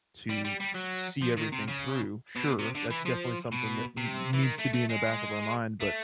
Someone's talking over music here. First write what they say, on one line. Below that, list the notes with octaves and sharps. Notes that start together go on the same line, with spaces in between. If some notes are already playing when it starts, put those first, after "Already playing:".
to see everything through sure, that's definitely something that n needs to be in the back of our mind, but
G3
G3
G3
F#3
F3
D#3
C3
C#3
B2
C3
D3
E3
F3
B2
C3
E3
D#3
A3
A3
G#3
A3